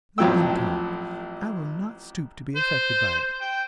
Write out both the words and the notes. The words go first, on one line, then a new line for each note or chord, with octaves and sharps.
Let them talk--I will not stoop to be affected by it.
A1 F2 F3 F#3 G5 E6
C5
G5